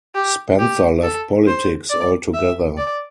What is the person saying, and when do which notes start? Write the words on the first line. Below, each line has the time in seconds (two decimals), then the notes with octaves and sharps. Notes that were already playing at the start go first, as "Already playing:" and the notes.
Spencer left politics altogether.
0.15 G4
0.59 G4
1.03 A4
1.47 C5
1.90 D5
2.34 E5
2.77 D5